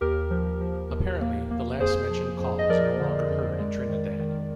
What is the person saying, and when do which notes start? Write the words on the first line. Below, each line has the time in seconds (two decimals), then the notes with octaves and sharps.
Apparently, the last mentioned call is no longer heard in Trinidad.
0.01 D#2 G4 A#4
0.30 F3
0.61 F3
0.90 D#2
1.21 A#3
1.51 A#3
1.80 F2 G#4 C5
2.10 F3
2.39 F2
2.59 D#5
2.69 F3 A#4 D5
2.99 D3
3.30 F2
3.59 G#3
3.89 D#3
4.19 D#3